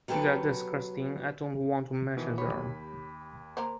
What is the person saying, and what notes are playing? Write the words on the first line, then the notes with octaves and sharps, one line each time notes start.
They're disgusting; I don't want to mention them.
F#3 B3 G4 A4 B4
B2 D#3 E3
D#2 G4 C#5 B5
A#3 A#4 C5